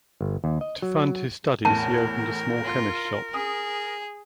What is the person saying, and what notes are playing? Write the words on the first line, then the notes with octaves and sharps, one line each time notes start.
To fund his studies he opened a small chemist shop.
G1
D#2
D#5
F#3
E2 A2 A#4 A5
F4
G#4 D#6